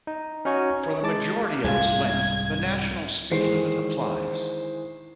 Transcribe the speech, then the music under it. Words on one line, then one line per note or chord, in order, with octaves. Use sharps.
For the majority of its length, the national speed limit applies.
D#4
C#4 D#4 F#4 C#5 G#5
C#5
G#3 A5 D6 A6
C2 G#2 G#3 D4 F4 G#6
D#3 E3 G#3 C5 C7